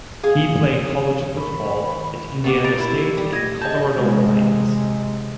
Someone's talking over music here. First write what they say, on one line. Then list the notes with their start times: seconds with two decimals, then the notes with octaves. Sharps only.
He played college football at Indiana State and Colorado Mines.
0.23 G#4 F5
1.37 D#3 A#4 B5 C#6
2.44 C3 B3 G4 D6
2.64 A#5 A6 D7
2.78 E4
3.17 G3
3.33 D#5 G#6 A#6
3.61 D#5 A5 G6
3.98 C3 G#3